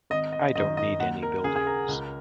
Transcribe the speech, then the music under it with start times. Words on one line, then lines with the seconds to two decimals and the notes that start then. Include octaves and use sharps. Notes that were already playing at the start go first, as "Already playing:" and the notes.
I don't need any buildings.
0.10 G#1 D#5
0.32 D#5
0.55 F#2 D#3 D#5
0.77 D#5
1.00 D#2 F#5
1.23 A#4
1.44 C#3 G#4
1.56 G#4
1.67 A#4
1.88 C#2